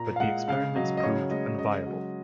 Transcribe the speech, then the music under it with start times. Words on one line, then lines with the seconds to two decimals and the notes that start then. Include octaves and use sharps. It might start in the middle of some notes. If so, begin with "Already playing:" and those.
But the experiments proved unviable.
Already playing: A#2 A#5
0.16 F5
0.20 G#3 F#5
0.48 C#3 F5
0.76 F#3 D#5
0.97 D#5
1.04 C#3 C#5
1.31 G#3 D#5
1.59 C#3 D#5
1.86 F#3